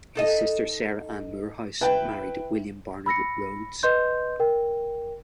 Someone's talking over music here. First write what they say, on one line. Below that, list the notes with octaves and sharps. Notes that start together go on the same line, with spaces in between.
His sister Sarah Ann Moorhouse married William Barnard Rhodes.
D#4 A4 D#5
E4 B4 G5
B5 E6 A#6 C#7
B4 D#5 C6 G6
A#4 G5